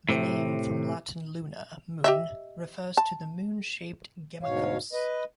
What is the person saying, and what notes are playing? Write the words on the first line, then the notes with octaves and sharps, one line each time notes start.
The name, from Latin "luna", moon, refers to the moon-shaped gemmacups.
A2 C3
G4 D#5 E5
A5
D2 G#2 B2 C#5 F5
B4 D#5